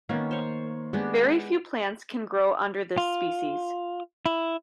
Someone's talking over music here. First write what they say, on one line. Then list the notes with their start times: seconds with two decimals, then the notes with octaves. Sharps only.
Very few plants can grow under this species.
0.09 D#3 A#3 B3 C#4
0.31 C5 C#5
0.93 G#3 B3 D4 G4
2.98 F4
4.26 E4